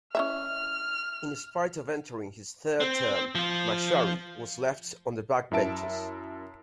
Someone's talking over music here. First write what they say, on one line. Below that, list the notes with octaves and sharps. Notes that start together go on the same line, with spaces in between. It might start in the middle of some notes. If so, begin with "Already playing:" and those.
In spite of entering his third term MacSharry was left on the backbenches.
C#4 E4 E5 F6
C4
F3 F4
F#2 E4 A#4 E5 A5 D7